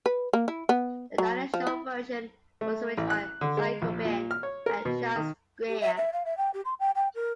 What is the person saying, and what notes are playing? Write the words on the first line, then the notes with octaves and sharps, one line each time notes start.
The Dinah Shore version was arranged by Cy Coben and Charles Grean.
B4
A#3
E4
B3
F#3
F3
E4
A3
A1
F#6
D3
G#3
A#1
A#2
F6
C#5
A#4
B2
D#3
G4
E5
E5
F5
E5
G5
G4
C6
G5
G5
A#4